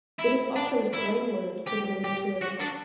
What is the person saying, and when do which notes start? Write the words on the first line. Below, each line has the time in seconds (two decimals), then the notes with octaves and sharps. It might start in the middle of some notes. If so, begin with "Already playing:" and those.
It is also a slang word for the number two.
0.19 E4
0.56 D4
0.93 E4
1.67 G4
2.04 G4
2.41 F#4
2.60 D4